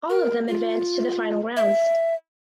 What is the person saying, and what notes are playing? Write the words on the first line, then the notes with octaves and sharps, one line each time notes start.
All of them advanced to the final rounds.
A#4
F4
E5